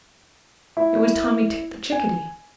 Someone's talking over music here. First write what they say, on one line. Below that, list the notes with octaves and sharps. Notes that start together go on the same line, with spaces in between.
It was Tommy Tit the Chickadee.
E4
G#5